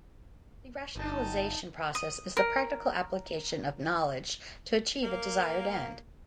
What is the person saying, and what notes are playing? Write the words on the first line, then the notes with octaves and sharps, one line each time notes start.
The rationalization process is the practical application of knowledge to achieve a desired end.
G1 D#4 A5
D#6
A#4
A#3